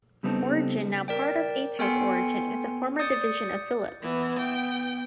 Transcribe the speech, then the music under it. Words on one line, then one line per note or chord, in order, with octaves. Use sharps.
Origin, now part of Atos Origin, is a former division of Philips.
C#3 G3 B3 C4 D#4 A4
A#4 D5 G5
B3 A4 G5 G#5 C6 C#7
D5 D#6 G6 A6 C#7
E3 B3
G5